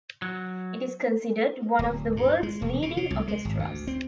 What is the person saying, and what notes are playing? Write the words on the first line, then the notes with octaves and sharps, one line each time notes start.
It is considered one of the world's leading orchestras.
F#3
D1
G2
G#3
E1
B2
C#3
C2
G#3
G#1
D2
C4